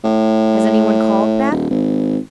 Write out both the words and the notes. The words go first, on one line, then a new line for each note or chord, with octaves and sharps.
Has anyone called, Beth?
A2
D#1
G#1